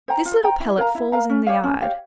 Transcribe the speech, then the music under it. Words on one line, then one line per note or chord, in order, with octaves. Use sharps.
This little pellet falls in the yard.
C5 G5 A#5
F4
C5 G5 A#5
E4
A#4 F5 A#5
E4
A#4 F5 A#5
C#4
G4 C#5 F5
C#4
G4 C#5 F5